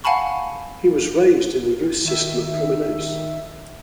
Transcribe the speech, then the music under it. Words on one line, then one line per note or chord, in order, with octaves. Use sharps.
He was raised in the youth system of Cremonese.
F5 F#5 G#5 A5 B5 C#6
D#3 E5